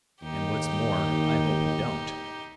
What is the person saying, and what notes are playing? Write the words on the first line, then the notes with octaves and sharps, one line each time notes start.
"And what's more, I hope you don't."
D#2 D#4 G4